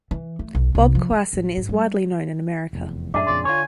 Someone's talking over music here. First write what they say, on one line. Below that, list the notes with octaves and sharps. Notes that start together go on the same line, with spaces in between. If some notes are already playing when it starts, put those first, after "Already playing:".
Bob Coassin is widely known in America.
E3
A3
B1
C2
F3
D3
A1
G#2
G3
F1 E2
F#2 A2 D4 G#4 E5 D6
F2 A#2 C#3 D5 C6
D3 F4 C#5 G#5